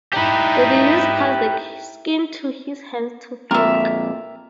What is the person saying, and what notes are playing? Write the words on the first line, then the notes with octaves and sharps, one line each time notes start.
The disease cause the skin of his hands to flake.
D#4 E4 G4 B4
F2 A#2 A#4 E5